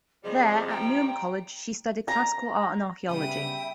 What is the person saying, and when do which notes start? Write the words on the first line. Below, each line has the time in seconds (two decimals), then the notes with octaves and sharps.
There, at Newnham College, she studied Classical Art and Archaeology.
0.24 C3 F3 G3 G#4 D#5
0.68 G5 A#5
2.08 A#5
3.09 C#3 G3 B3 E5 G5 B5 D#6